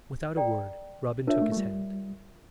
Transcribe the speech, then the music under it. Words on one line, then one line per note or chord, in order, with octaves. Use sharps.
Without a word, Robin took his hand.
A4 D5 G5 A#5
D4 F4 A#4 C#5 E5
A3
A3
G3